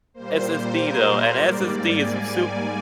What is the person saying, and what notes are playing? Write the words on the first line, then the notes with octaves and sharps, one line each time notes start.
SSD, though, an SSD is a soup
A#2 G3 A#3 C5
A#4
C5
G#2 G3 A#3 D5
G#5